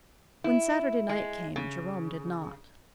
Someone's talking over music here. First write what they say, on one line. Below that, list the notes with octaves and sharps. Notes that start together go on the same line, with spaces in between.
When Saturday night came Jerome did not.
E4
G#3
C#3